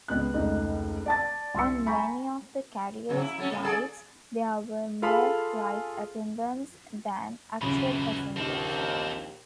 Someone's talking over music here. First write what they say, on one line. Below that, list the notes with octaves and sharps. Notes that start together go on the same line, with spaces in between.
On many of the carrier's flights, there were more flight attendants than actual passengers.
C#2 B3 F#6
F1 C#2 D#4
D5 A5 A6
C2 C6 E6 C#7
G5 G#5 A#5 B5 C#6
A#2 C#3 F#3
E4
F#3 A3 C#4
A2 A#3
G#4 A4 D5
F4 G#4 A4 F5 B5
D#1 F#2 C#3 E3 B5
A#1 D#2 C4 A4